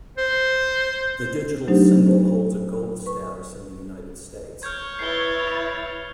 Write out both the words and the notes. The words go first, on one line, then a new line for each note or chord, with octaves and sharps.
The digital single holds a Gold status in the United States.
C5
F#3 A3 D4 D#4 G4 C5
C5
B4 C#6
C#5 F6 G6 G#6
E4 B4 A6 C7 G7
F7